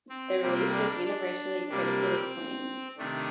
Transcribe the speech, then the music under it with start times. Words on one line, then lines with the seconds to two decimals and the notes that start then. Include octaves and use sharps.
The release was universally critically acclaimed.
0.09 C4
0.41 C3 G3 A#3
0.74 D4
1.05 D4
1.69 C3 G3 A#3 D4
2.01 C4
2.98 C3 D#3 A3 D4